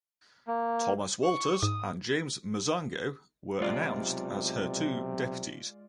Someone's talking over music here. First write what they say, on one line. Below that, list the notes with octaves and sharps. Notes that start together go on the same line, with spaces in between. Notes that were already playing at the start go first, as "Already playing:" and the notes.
Thomas Walters and James Masango were announced as two her deputies.
A#3
C#6
G#2 D#6
B1 C3 G#3 F4 D5